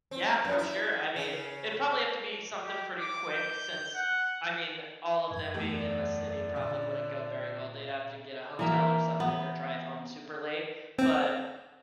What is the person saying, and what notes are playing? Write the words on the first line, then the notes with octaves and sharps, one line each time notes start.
Yeah, for sure. I mean, it'd probably have to be something pretty quick since I mean, all of them being in the city probably wouldn't go very well, they'd have to get a hotel or something or drive home super late. But
C4
F#2
E4
C#3
G4
D6
G6
F#5
F#2 G#6
E2 A3 G4
D5
A#2 D3
E3 A#3 E5
B3
C4